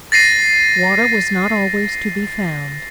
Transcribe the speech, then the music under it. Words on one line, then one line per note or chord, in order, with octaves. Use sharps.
Water was not always to be found.
A6 A#6 C7 D#7